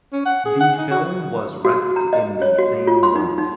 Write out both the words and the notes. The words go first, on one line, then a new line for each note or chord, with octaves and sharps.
The film was wrapped in the same month.
C#4
F#5
G#4
F#5
D#4
F#4
F#4
A#5
D#5
C#5
F#4
F4
C6
D#4
D#4